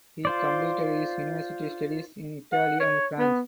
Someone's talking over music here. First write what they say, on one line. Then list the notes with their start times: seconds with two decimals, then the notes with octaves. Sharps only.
He completed his university studies in Italy and France.
0.25 F4 C5 D5
2.52 F#5
2.80 C#5
3.18 B3